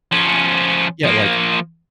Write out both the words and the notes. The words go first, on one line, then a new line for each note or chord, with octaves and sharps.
yeah, like,
F3 C#4
F3 A#3